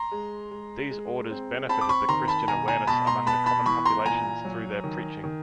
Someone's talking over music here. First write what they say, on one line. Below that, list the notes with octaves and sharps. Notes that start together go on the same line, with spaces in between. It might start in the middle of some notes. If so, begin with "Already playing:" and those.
These orders benefited the Christian awareness among the common populations through their preaching.
Already playing: A#5 C6
G#3
G#3
G#3
C4
C4 A5 B5
D6
B5 C#6
D#3 A#5 C6
A5 B5
B2 G#5 A#5
G#5 A#5
B2 A5 B5
A#5 C6
B3 A5 B5
A5 B5
E3 B5 C#6
A#5 C6
A#2 G#5 A#5
F#3
D#3
D#3